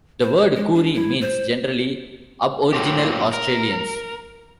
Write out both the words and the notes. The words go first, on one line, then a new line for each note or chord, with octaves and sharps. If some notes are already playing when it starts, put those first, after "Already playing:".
The word "Koori" means, generally, aboriginal Australians.
C5
G#3
D4
E4
C5
A2 F#3 A#3 C4 G4
A#4